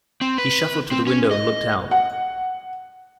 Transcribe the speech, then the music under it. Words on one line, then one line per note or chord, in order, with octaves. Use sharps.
He shuffled to the window and looked out.
C4
B4
C4
C#4
D#5
F#5